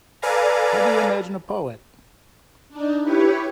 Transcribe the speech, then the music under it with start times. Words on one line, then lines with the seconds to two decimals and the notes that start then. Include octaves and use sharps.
How do you imagine a poet?
0.22 A4 B4 D5 F5 G#5 A#5
2.69 D4 D#4
3.01 E4 G4 B4 C#5